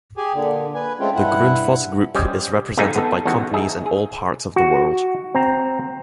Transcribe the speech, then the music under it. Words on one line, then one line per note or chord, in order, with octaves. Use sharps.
The Grundfos Group is represented by companies in all parts of the world.
G4 G#4 G#5
A#2 D3
B4 G#5
G#3 A3 C4 C#4 F4
G2 E4 F#5
G3 C#4 C5 D5 D#5
G1 F2 A3 D#4 G#4 G#5
B3 A4
A1 E2 G#2 F#4
D#4 G#4 E5
G#4
F#4
C4 A#5